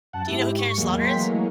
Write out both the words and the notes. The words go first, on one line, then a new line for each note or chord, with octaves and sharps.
Do you know who Karen Slaughter is?
F#2 F#5 A5
G#2 E4 G4
C#6
E2 A2 F#3 G#3 A#3
G5 C6 B6
E3 A3